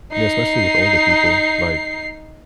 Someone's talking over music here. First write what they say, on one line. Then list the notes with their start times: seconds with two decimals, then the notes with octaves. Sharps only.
Yeah, especially with older people. Like,
0.12 D#4 C7